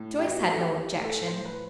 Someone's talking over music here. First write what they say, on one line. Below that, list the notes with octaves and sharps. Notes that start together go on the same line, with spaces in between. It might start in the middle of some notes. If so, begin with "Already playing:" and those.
Joyce had no objection.
Already playing: A2
G4
E3 F#4
A4
E3 G4
A2
A4
A2 C5
B4